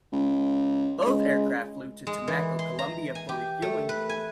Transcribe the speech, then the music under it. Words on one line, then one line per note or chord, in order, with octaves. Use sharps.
Both aircraft flew to Tumaco, Colombia for refueling.
C#2
C#2 G#3
G#3
E3
C6
A#5
G#5
G4
A3
B4
G#5